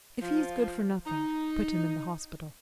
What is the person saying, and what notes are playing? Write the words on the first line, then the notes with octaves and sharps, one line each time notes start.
If he is good for nothing, put him in the hospital.
F3
D#4